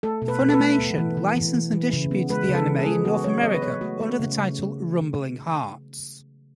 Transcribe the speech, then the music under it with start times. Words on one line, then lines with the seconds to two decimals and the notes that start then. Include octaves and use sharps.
Funimation licensed and distributed the anime in North America under the title "Rumbling Hearts".
0.03 A3 A4
0.22 B2
0.28 B4
0.41 B2
0.49 A4
0.54 B4
0.60 A3
0.79 B3
0.98 E3
1.17 E3
1.36 E3
1.54 E3
1.73 E3
1.93 C#3
2.11 B3
2.29 G#3 B4
2.49 C#3
2.55 A4
2.67 E3
2.80 G#4
2.87 G#3
3.05 B3 F#4
3.24 F#3 C#5
3.43 B3 D#5
3.54 B4
3.62 B3 C#5
3.81 A3 F#4
4.00 A3
4.19 C#3
4.38 C#3